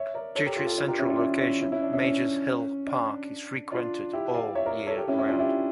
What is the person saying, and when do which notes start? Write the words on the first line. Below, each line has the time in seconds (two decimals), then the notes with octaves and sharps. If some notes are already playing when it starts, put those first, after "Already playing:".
Due to its central location, Major's Hill Park is frequented all year round.
Already playing: C#5 E5
0.14 A#4 D5
0.35 A4 C#5
0.46 G4 A#4
0.56 F4 A4
0.67 F4 A4
0.78 D4 F4
0.88 G4 A#4
0.99 C#4 E4
1.09 D4 F4
1.19 C#4 E4
1.40 C#4 E4
1.62 C#4 E4
1.72 C#4 E4
1.82 D4
1.93 C#4 E4
2.03 C#4
2.87 D4
3.71 D4 F4
4.13 E4 G4
4.34 D5 F5
4.55 C#5 E5
4.66 A#4 D5
4.87 A4 C#5
4.97 G4 A#4
5.08 C#4 E4
5.18 C#4 E4
5.29 D4 F4
5.39 E4 G4